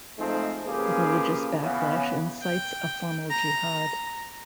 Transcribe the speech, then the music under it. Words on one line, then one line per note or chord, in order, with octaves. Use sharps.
A religious backlash incites a formal jihad.
F3 G#3 A3 C4 D#4
C#3 F3 A#3 G4 G#4 B4
C#3 E3 B3
G5
A#5